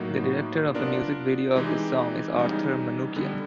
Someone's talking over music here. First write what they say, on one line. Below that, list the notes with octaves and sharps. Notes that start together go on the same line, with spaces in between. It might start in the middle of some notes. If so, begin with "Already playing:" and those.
The director of the music video of this song is Arthur Manukyan.
Already playing: A2 F#3 A#3 D#4 F#4
B3 D4 F4 A#4 D5
E3 G#3 C4 D#4 G4
C#3 E3 G3 B3 D#4
D3 G3 B3